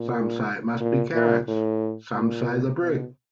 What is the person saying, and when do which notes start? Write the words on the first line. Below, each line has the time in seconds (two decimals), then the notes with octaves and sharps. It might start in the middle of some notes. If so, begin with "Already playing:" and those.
Some think it must be Carrots, some say the Brick.
Already playing: A#2
0.80 A#2
1.14 A#2
1.48 A2
2.15 A#2
2.82 B2